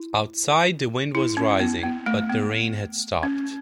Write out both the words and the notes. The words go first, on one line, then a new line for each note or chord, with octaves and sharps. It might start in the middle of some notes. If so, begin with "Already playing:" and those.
Outside the wind was rising, but the rain had stopped.
Already playing: E4
E4
C#4
B3
B3
A3
B3
C#4